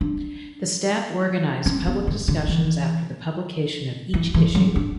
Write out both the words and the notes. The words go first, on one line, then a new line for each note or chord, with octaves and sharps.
The staff organized public discussions after the publication of each issue.
D4
C#4
B3
D3
D3
E3
E3
E3
F#3
D4